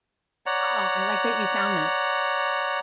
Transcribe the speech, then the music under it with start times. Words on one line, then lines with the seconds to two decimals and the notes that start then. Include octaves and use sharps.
Oh, I like that you found that.
0.46 C#5 D5 F#5 A#5